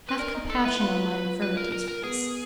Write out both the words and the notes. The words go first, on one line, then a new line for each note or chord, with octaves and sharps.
Have compassion on my infirmities for his sake.'
B4
D4 A#4
D#4
A4
E4 B4
F4
B4
A#4
A#4
A#4
B3 G#4